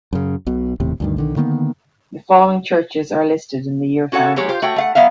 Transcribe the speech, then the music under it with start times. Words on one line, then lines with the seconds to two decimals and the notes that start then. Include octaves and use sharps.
The following churches are listed in the year founded.
0.13 F#2 C#3
0.47 B1 B2
0.80 D#1 D#2 A2 C3
1.00 D2 G2 D#3
1.17 B1 D3 D#3
1.36 D3 D#3 A#3 B3
4.12 C#4 F#4 A4 C#5 F#5
4.36 F#3 G#3 G4 C#5
4.49 F4 G4 C5
4.62 A3 F#4 C#5 G5
4.76 A3 F5 F#5
4.95 F#3 B3 E5 F5